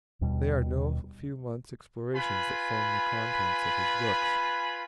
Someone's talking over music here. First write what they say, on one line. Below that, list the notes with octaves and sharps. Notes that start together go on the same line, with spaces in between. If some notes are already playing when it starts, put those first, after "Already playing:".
They are no few months' explorations that form the contents of his books.
D#2 B2 G3
F4 B4 G#5 B5